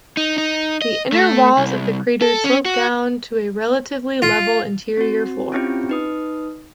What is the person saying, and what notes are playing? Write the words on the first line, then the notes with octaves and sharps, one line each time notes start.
The inner walls of the crater slope down to a relatively level interior floor.
D#4
D#4
D#5
A3
C2
A4
C#4
F#4
F4
C4 F#4
C4 C#4 E4 F4 G4
D#4 B4 D#6